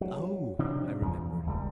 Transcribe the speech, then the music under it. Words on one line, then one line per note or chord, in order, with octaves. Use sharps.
"Oh!" I remembered.
F#3
C3 F3 C4 D4
E2 F3
D#1 C#2 G3